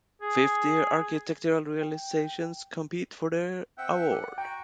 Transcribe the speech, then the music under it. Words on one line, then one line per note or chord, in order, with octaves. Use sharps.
Fifty architectural realizations compete for the award.
G#4
G5
C4 E5 F#5 G5
D5
F#4 G5 A#5